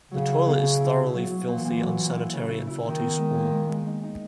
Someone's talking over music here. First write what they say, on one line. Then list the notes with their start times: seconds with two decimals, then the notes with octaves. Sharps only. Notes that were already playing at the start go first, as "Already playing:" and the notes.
The toilet is thoroughly filthy, unsanitary, and far too small.
0.11 C#3 F#3
0.28 E4
0.46 B2
0.63 B2
0.80 E4
0.97 E4
1.14 F#3
1.31 F#3
1.48 A#2 E3
1.65 A#2
1.81 F#3
1.99 A#2
2.16 E4
2.33 C#3
2.49 E4
2.67 E4
2.84 D#3 E4
3.00 B3
3.18 G#3
3.35 A#2
3.52 G#3
3.69 G#3
3.86 D#4
4.03 D#4